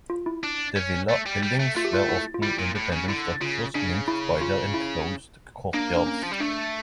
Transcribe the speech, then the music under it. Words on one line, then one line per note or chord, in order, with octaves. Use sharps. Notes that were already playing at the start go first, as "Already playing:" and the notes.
The villa buildings were often independent structures linked by their enclosed courtyards.
F4
E4
D4
C#4
A3
G3
G3
A3
A3 F4
G4
F4
E4
F4
G3 E4
A#2
A2
C#3
D3 E4
C#3 F4
C#3 D4
E4
F4
E4
A#3 D4
D4
C#4
F3
G3
A3 D4